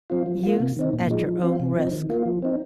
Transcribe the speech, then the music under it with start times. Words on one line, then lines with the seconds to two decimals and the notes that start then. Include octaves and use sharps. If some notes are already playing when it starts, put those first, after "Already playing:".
Use at your own risk.
0.10 F3 C4 F4
0.26 F3
0.43 A#3 F4
0.60 C3
0.77 D#3 C4 D#4
0.93 A#2
1.10 F3 G#3 D#4
1.26 F3
1.43 C4 F4
1.60 C3
1.76 F3 C4 D#4
1.93 D#3
2.09 A#3 F4
2.26 F3
2.42 C4 D#4